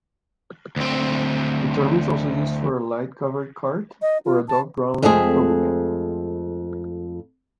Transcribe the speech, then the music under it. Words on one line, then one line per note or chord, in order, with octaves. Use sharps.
The term is also used for a light covered cart or a dog-drawn toboggan.
D2 C4
D#5
F4
A5
F2 G#3 A3 C4 G4 G#4